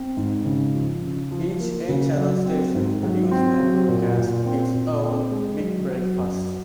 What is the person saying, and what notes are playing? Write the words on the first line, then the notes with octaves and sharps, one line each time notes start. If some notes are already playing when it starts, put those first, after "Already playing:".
Each A-Channel station produced and broadcast its own "Big Breakfast".
Already playing: C4
G#2
C#3
F3
C#3
F3
A#3
C#3
F#3
C4
G#2
F#3
C4
F#3
A#2
A#2
C4
A#2
C4
G#3
F#3
F#3
F#2